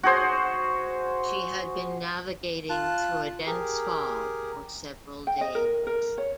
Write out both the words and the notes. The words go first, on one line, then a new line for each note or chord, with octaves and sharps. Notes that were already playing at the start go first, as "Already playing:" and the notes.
She had been navigating through a dense fog for several days.
F#4 G#4 C5
F4 A5 F#6
G4 G#4 A#4
G5
D#5
A#4
A#4
C#5